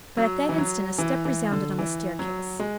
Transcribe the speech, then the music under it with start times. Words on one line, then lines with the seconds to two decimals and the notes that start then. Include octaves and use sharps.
But at that instant a step resounded on the staircase.
0.17 F#3
0.49 E3
0.58 F#3
0.98 E3
1.25 E3
1.51 D3
1.79 E3
2.19 F#3
2.59 G#3